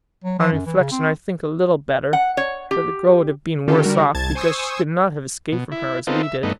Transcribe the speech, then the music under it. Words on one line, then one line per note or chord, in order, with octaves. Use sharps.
On reflection, I think a little better; but the girl would have been worse off, because she could not have escaped from her as we did.
F#3
F3
F#2
E3
C#3
C4
F#5
C#5
G4
D3 D#3 C#4 F4 G4 A4
D3 G3 F#4 A#4
C2 A5 G#6 A6
C5 G#5 C#6 D#6 E6
B2
E4
B3 C4 D#4 F4 A4
E5
G2 A3 B3 D#4